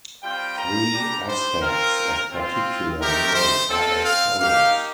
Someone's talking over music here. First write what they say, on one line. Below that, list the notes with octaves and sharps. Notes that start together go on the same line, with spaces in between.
Three aspects of particular note are as follows.
G3 C4 F4 G5
A#5
G3 D4 G4
C5
C4 F4 A#4
C4 F4
A3 C4 D#4 G4 A#4
C5
C4 F4 A4
F5
A#3 D#4 G4 F5